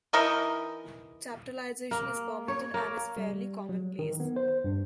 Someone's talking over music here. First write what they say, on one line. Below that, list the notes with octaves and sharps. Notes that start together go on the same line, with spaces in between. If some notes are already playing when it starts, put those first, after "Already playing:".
Chaptalization is permitted, and is fairly common-place.
E3 D#4 A#4 D#5
A#3
C#5
A#3
G3
F#3
D#3
B3
C5
G2